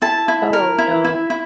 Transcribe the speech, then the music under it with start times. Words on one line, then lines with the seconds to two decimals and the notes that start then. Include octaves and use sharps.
Oh, no.
0.02 E4 A5
0.28 E4
0.53 A#4
0.78 E4
1.04 E4
1.30 E4